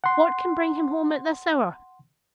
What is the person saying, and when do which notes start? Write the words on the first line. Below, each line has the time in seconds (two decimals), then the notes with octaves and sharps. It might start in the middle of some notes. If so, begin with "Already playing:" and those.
What can bring him home at this hour?
0.04 F#5 C6